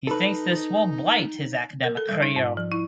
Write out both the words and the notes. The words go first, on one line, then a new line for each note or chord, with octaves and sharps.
He thinks this will blight his academic career.
D#4 A4 B4
A#4
A4
G3
D#4
G#2
F3
E4